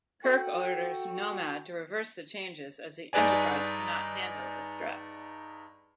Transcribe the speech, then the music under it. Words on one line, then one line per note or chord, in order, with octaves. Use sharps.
Kirk orders Nomad to reverse the changes, as the "Enterprise" cannot handle the stress.
F#4 A4 G5
G2 D#4 G#4 B4 D5 G#5